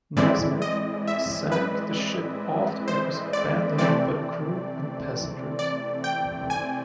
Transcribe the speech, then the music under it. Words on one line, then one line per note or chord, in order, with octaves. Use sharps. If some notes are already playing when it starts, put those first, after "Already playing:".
Nasmith sank the ship after it was abandoned by the crew and passengers.
A2 E3 G#3 C4 E4 D5
D#5
E5
B4
C5
D5
C3 E3 A3 C4 D5
D5
G5
G#5